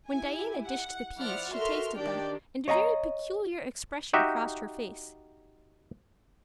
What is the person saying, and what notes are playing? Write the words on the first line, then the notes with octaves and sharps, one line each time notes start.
When Diana dished the peas she tasted them and a very peculiar expression crossed her face.
E4 G4 G#5
F#5
F3 E4 D5 F#5 F6
F#4 A4 A#4 E5 C6 F6
D#3 D4 G4 D5 G5
C#5 D#5 F5 A#5
D#4 F#4 G4 E5